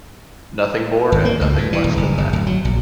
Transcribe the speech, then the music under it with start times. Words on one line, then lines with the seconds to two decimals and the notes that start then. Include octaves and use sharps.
Nothing more and nothing less than that.
1.12 G#1
1.25 A#3
1.41 C#2
1.58 A2
1.73 E3
1.84 D#1
1.97 F#1
2.18 G1
2.33 D1
2.47 F#3
2.65 A#1